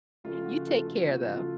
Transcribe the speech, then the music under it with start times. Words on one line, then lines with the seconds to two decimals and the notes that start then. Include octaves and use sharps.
you take care though.
0.24 C#3 F3 A3 F4
0.45 F#4
0.67 F4 A4
0.87 F4 A4
1.09 C#3 F3 A3 F#4
1.30 F4 A4